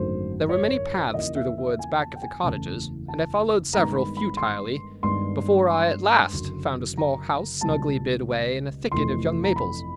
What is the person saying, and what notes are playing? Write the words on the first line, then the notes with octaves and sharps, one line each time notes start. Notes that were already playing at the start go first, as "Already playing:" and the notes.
There were many paths through the woods back of the cottages, and I followed several futilely before I at last found a small house snugly bid away in a thicket of young maples.
Already playing: G#1 F#2 D3 F#3 A3 C5
C#5
E2 C#3 F3 A#3 D#5
E5
E5
G#5
A5
G5
G#5
F#1 E2 C#3 E3 A3 A5
A5
G1 G2 D#3 G#3 B3 A#5
B5
B5
C6
G2 D#3 G#3 B3 C6
C6
F#1 F#2 D3 F#3
A#5
C#2 B2 G3 A5
G1 F2 C3 E3 A3 C6
A#5
B5